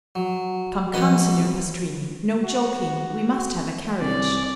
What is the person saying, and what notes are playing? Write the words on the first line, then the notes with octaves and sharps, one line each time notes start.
"Come, come, Signor Pastrini, no joking; we must have a carriage."
F#3
A#1 C#4 F#4 B4 D#5 D#6
F#4
C2 C#4 D5